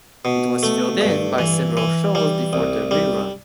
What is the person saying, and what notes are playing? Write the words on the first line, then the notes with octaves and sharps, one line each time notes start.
It was filled in by several shows before the rerun.
B2
A3
G2
E3
E3
G3
C2
G3